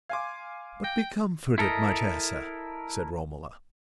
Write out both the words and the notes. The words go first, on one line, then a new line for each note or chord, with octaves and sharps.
"But be comforted, my Tessa," said Romola.
F5 G#5 C6 D6 G#6
G5 A#6
E4 A4 A#4 D#5